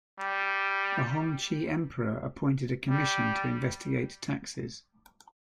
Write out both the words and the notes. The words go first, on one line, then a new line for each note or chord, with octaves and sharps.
The Hongxi Emperor appointed a commission to investigate taxes.
G3
G3